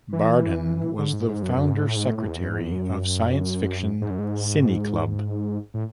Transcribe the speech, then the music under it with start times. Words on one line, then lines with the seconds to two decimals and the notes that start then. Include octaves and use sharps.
Bardhan was the founder secretary of Science fiction cine club.
0.13 E3
0.98 D3
1.13 G#2
1.28 G#2
1.42 F#2
1.56 F#2
1.70 G#2
1.85 A2
1.96 G#2
2.07 A2
2.18 A2
2.28 E2
2.40 F#2
2.49 G#2
2.61 E2
2.72 F#2
4.01 G#2
4.10 F#2
4.19 G#2
5.74 A2